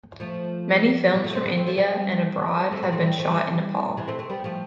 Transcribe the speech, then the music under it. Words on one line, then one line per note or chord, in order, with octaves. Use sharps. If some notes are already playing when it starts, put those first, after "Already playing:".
Many films from India and abroad have been shot in Nepal.
F3 A3
E3 G3
F3 A3
A3 C4
B3 D4
A3 C4
F3 A3
G3 B3
A3 C4
G3 B3
A3 C4
G3 B3
F3 A3
E3 G3
C3 E3
A3 C4
A3 C4
G3 B3
F3 A3